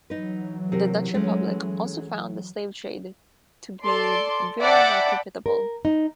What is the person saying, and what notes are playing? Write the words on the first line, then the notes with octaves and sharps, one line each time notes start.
The Dutch Republic also found the slave trade to be very not profitable.
E3 F#3 D#4 B4
C3 G4 A#4
G#3 A3 C#4
A4 D5 C6
D5 E5 F#5 G5 A5 B5
A#4
D#4